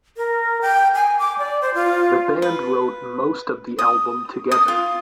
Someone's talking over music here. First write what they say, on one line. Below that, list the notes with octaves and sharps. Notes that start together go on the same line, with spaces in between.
The band wrote most of the album together.
A#4
G5
G#5
D6
D5
C5
F4
B4
D#6
D#6
F4